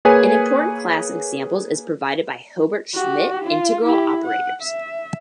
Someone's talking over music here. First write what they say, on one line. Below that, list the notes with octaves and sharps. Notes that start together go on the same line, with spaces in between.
An important class of examples is provided by Hilbert-Schmidt integral operators.
A#3 G#4 B4 C#5 G#5
F#4 G4
F4
E4 G4
F#5
E5